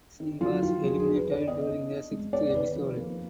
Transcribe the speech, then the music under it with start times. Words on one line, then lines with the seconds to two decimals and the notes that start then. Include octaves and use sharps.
She was eliminated during the sixth episode.
0.20 D#3
0.41 F#3 F4
0.63 D#3 F4
0.83 F#3 G#4
1.00 G#4
1.05 D4
1.15 B4
1.26 D#3
1.32 D5
1.47 B3 D#5
1.69 D4
1.90 D4
2.11 G#3
2.33 B3 D5
2.50 D5
2.54 D#3 B4
2.76 F3
2.97 A#3